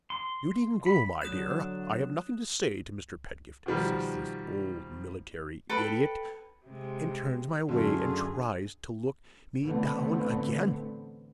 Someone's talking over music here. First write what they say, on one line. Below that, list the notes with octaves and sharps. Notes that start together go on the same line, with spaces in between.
'You needn't go, my dear, I have nothing to say to Mr. Pedgift,' says this old military idiot, and turns my way, and tries to look me down again.
C6
B5
D3 F#3 D4 D#6 F#6 G6 E7
B2 D#3 F3 G3
A4 B4 G5 B5
C3 G#3
F#2 D3 F#3 A3 F4 G#4
A1 D3 E3 A3 B3 C4